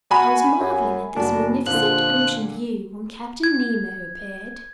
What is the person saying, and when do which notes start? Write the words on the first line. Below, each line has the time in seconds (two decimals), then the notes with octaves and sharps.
I was marveling at this magnificent ocean view when Captain Nemo appeared.
0.11 F#4 G#5 B5
0.60 F#2
1.16 F#1 D4 F#4
1.66 A#2 D3 F3 F#6
3.43 G#6